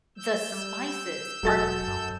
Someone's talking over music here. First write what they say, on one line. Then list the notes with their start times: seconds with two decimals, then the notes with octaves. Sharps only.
the spices are,
0.17 E6 G6
0.52 G3
1.43 E1 F#3 A4 A6
1.87 F#2